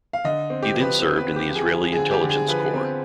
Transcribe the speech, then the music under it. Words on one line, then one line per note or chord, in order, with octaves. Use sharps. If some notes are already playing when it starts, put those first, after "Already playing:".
He then served in the Israeli Intelligence Corps.
F5
D3 D#5
C4
G4
F3
B4
C4 B4
B4
C4
G4
F3
G#4
F3
G#4
D3
G4
D3
G#4
F3 B4
C4